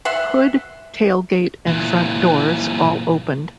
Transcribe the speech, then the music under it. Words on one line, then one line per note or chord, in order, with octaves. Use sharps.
Hood, tailgate, and front doors all opened.
E5 F#5 C6
A#2 E3